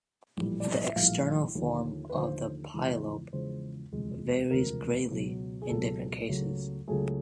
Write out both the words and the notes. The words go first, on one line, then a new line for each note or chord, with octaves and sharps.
The external form of the polyp varies greatly in different cases.
A#1 A2 E3 G3
D5
D#5
E5
A#1 A2 E3 G3 F5
D#2 D3 F3 A3
B4
D#2 D3 F3 A3 C5
E2 C#3 F3 G#3
E2 C#3 F3 G#3 C5
E1 D2 C3 F3 G#3
E1 D2 C3 F3 G#3 A#4
C#2 B2 F#3
G#4
C#2 B2 F#3 A4
C#2 C#3 F#3 A3
C#2 C#3 F#3 A3 G#4